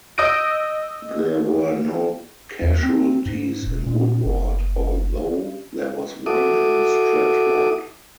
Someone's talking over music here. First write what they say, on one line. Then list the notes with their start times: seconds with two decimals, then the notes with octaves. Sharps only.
There were no casualties in Woodward, although there was one in Stratford.
0.18 D#5 D#6 E6 G6 A#6 D7
2.62 E2
2.83 C4
3.26 G#2
3.66 E1
3.86 A#2
4.25 F#1
6.26 E4 F#4 A4 D6 D#6